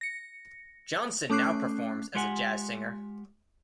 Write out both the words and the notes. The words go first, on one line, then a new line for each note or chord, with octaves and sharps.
Johnson now performs as a jazz singer.
A#6 C#7
A3 C#4 D6 F#6 C7
G#3 F4 G4 F#5 G#5